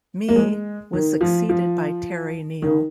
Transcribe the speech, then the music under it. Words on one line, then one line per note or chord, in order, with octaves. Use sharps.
Mee was succeeded by Terry Neill.
A#3
G#3
D#3
F3
F3
D#3